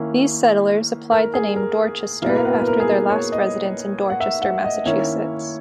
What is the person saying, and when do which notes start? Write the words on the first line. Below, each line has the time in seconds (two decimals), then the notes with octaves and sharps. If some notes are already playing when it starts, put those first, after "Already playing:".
These settlers applied the name "Dorchester" after their last residence in Dorchester, Massachusetts.
Already playing: D#3 A#3 C#4 E4
1.12 A#4
1.34 G#4
1.56 A#4
2.22 B2 A#3 E4 A#4
2.29 B4
2.37 A#4
2.45 B4
2.53 A#4
2.60 B4
2.68 A#4
2.80 G#4
2.88 A#4
3.09 C#5
3.32 D#5
4.10 F#5
4.20 E5
4.42 F#5
4.64 D#5
4.86 D#3 A#3 C#4 E4 C#5